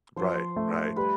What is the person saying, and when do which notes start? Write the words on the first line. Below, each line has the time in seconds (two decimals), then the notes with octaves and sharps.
Right, right.
0.16 F3 C5
0.56 A3
0.96 G3 B4